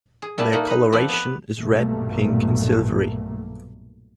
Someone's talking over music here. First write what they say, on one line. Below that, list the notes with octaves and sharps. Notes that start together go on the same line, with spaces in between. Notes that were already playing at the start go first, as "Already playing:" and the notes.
Their coloration is red, pink, and silvery.
G#4
A#2 G3 D4 E4 E5 A5
A3 A#3 D#4 F#5
D#4 B4
F3 C4 B4 D5
B3 B4
B1 G2 A#2 A3 A#3